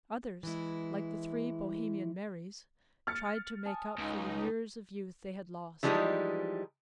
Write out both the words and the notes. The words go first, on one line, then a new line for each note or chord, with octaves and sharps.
Others, like the three Bohemian Marys, tried to make up for the years of youth they had lost.
E3 G#3 E4
F6 A6 C#7
G#5 A5 D#6
C#2 D#4
E3 F3 G3 G#3 D#4